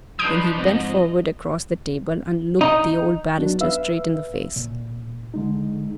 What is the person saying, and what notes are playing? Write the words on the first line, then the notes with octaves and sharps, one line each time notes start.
Then he bent forward across the table and looked the old barrister straight in the face.
F3 D4 D#4 B4 D#6 G6 D7
G#2 F3 C4 D#5
D#4
F#3 B3 D4 D#4 F#4
B4 E5 F5 E6
A#2
D3 G#3 D#4